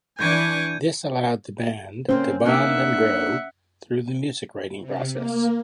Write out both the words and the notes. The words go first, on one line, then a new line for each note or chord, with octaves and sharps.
This allowed the band to bond and grow through the music writing process.
E3 D4 G#5 C#6 D6 G6 G#6 D#7
A#3 C4 C#4 C5 G5
A#3 D4 D#4 E5 F#5
C3
A#3